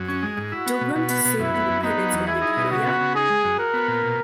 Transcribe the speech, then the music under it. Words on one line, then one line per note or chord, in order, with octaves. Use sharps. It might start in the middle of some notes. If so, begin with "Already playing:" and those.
Dougram to save independence of the Deloyer!
Already playing: F#2
C#4
G#3
G#2
E4 F#4
B3
B2
B2
B3
B2
F#2 E4
B3
F#2
B3 D#4
F#3
E2
E4 G#4
D#4
B2
C#3 F#4
B3
C#3
D#4 G#4
G#3
F#2
F#4 A#4
B3
A#2
B2